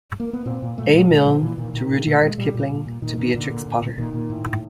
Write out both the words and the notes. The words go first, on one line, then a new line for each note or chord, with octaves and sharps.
A. Milne to Rudyard Kipling to Beatrix Potter.
A#3
B3
A#2 C4
A#2
A#2 A3
G3
A#2 G#3
A#2 G#3
A#2 F3
A#2 E3
A#2 D#3
A#2 D#3
A#2
A#2 A3
A#2 G#3
A#2 G3
A#2
A#2
A#2
A#2 D#3
A#2 D3
D#3
A#2 D3
A#2
A#2
A#2
A#2 D#3
A#2
A2
A2